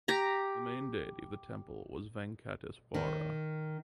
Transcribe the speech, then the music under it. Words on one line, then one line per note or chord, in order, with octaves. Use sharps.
The main deity of the temple is Venkateswara.
G4 A#5
D#3